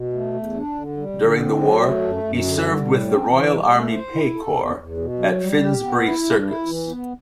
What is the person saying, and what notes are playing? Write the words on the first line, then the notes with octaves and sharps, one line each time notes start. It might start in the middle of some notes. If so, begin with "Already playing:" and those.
During the war, he served with the Royal Army Pay Corps at Finsbury Circus.
Already playing: B2
A3
E2
D4
D3
G3
D3
C4
F#3
A3
F#2
F#2
D3
G3
A2
C4
E3
G3
A3
C5
E4
A4
E2
E2
B2
F#3
G3
G4
B3
E4
G2
E4
E3
B3